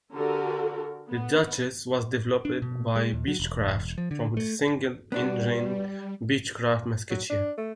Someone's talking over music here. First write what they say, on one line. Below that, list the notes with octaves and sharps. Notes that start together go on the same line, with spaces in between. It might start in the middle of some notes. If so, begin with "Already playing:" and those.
The Duchess was developed by Beechcraft from the single-engined Beechcraft Musketeer.
D3 F#4 G4 A4 A#4
B3
D4
B2
G#3
D#2
F#3
E1
F3
D3
A3
G3 B3 D4 F#4
F#3
D4
A3